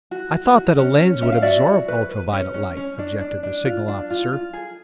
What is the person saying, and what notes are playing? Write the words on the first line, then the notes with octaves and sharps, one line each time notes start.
"I thought that a lens would absorb ultra-violet light," objected the signal officer.
F#4
F#4
F#4
C#4
C#4
C#4 E5
F5
F#4 D5 E5
F#4
B4
B4
C#4
C#4
C#4
D4
D4
D4
F4
D4
F4
F4
G#4